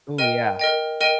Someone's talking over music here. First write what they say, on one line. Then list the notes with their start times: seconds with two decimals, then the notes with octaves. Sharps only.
Ooh, yeah.
0.18 A#4 D#5 G5 D#7
0.59 A#4 D#5 G5
1.00 A#4 D#5 G5 D#7